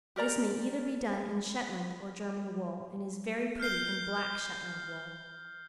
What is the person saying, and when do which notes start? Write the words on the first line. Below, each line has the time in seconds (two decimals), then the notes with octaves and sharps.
This may either be done in Shetland or German wool, and is very pretty in black Shetland wool.
0.16 G4 A#4 D5 A#5
3.60 F6 G6 C7 G7